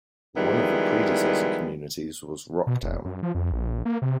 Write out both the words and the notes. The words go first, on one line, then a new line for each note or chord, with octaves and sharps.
One of the predecessor communities was "Rocktown".
D#3 F3 G3 G#3 B3 E4
B2
F1
F#2
F3
F2
A#1
A#3
C3